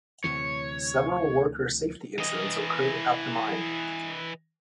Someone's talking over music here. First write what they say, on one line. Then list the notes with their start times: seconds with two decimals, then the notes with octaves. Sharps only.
Several worker safety incidents occurred at the mine.
0.24 D2 C3 E3 C#5
2.18 E3 D#5